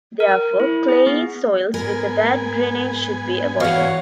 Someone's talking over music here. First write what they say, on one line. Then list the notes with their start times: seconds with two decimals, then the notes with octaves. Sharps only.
Therefore, clayey soils with a bad drainage should be avoided.
0.20 A#4
0.60 E4
0.88 G#4
1.06 B3
1.74 G#2 B3 A#4 G#5
3.60 G2 E3 F#4 C#5 F5 F#5